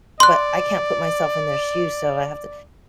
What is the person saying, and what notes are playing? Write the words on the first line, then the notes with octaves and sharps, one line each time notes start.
But I can't put myself in their shoes, so I have to
D5 C6 F#6